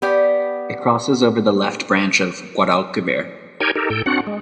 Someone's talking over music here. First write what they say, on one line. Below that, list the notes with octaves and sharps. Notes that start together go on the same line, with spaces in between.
It crosses over the left branch of Guadalquivir.
B3 G4 D5
D#4 G4 A#4 C#5 G5 G#5
D#4 G4 A4 A#4
A2 A4 G5
C4 D4 F#4 F#5
G#3